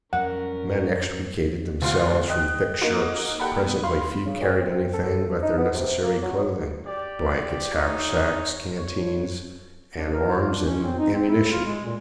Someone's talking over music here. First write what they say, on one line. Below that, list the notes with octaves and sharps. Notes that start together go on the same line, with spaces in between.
Men extricated themselves from thick shirts. Presently few carried anything but their necessary clothing, blankets, haversacks, canteens, and arms and ammunition.
F2 F#3 G3 C#4 A#4 F#5
D2 G2 F4 F5
D#5 G5 F#6
A#3 D#4 F#4 A#4
G4 A4 F#5 G5 A#5 B5
C3 B3
F5 B5 C6
C#3
D2
C4
A4
D#4
B3
C3
A#3
F#3
G4 D5
D#4 G#4 C#5
C#5
D4
A#4
F4
D4
C#4
C4
D#4
C4
E4
F4
G#3
A#2